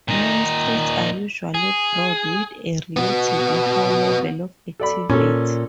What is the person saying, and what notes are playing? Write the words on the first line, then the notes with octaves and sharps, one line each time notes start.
Main streets are usually broad with a relatively high level of activity.
A#2 D#4
G#4
B3 F#4
A4 D5 B5
A#2 C#4 A4